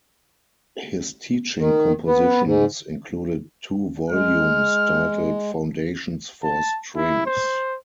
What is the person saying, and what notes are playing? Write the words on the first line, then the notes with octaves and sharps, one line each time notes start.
His teaching compositions included two volumes titled "Foundations for Strings".
D#3
B3
G#2
G#3 F6
A5
E4
C5